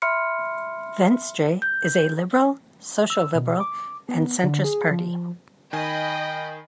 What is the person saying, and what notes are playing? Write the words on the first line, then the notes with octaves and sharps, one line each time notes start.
Venstre is a liberal, social-liberal and centrist party.
E5 B5 C6 F6 C#7
G6
E6
B2
D6
B3
D3
G#4
F3
D#3 D#5 G5 G#5 B5